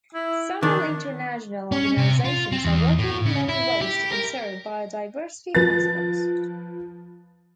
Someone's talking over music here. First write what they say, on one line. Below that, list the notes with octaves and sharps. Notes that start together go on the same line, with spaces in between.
Several international organizations are working in many ways to conserve biodiversity hotspots.
E4
D#3 D4
C#4
C3
F4
C4
E2
A2
C#3
E4
G4
A#4
F3 B4 A6